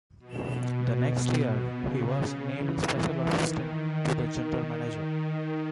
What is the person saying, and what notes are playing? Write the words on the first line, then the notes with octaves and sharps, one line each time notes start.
The next year, he was named special assistant to the general manager.
B2
B2
C#3
E3
E3
D#3
D#3